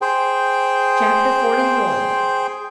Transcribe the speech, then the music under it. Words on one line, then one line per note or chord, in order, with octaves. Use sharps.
Chapter XLI.
G#4 C5 G5